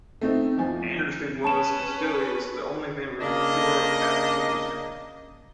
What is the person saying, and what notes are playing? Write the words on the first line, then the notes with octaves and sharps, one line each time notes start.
Anderson was, and still is, the only member of The Cure of African descent.
A3 C4 D#4
E2 F3 G#5
C#4 B4 A5 E7
C#3 A#3 D4 D#5